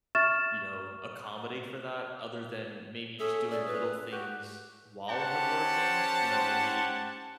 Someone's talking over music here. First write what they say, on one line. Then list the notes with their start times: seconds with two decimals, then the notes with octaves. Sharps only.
you know, accommodate for that other than maybe just doing little things while you're working. You know, maybe,
0.15 E5 C#6 F6 A6 E7
3.19 C#4 G#4 A4 E5
3.51 D5
3.66 B4
4.12 F#4 G4 G5 F#6
5.09 C#4 G4 C5 F#5 A5